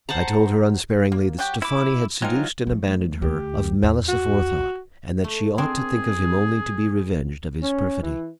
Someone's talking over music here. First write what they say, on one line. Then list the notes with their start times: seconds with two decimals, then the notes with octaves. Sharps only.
I told her unsparingly that Steffani had seduced and abandoned her of malice aforethought, and that she ought to think of him only to be revenged of his perfidy.
0.09 C5 F#5 A5 A#5
1.12 A#3
1.39 F#3 F#4 G4
1.62 E4 B5 D6
2.22 F#3 G#3 C4 D#4 F4 A#4
2.67 F3 A3
3.22 D2 G4
3.83 E2
4.08 F#4
5.24 A3
5.58 C4 D4 G#4 A#4
7.63 C#4
8.03 E3